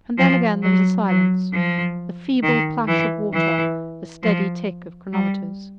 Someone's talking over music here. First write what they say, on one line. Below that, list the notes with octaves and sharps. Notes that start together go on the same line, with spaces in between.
And then again there was a silence, the feeble plash of water, the steady tick of chronometers.
F3
F#3
F#3
F3
D#3
E3
E3
F3
G3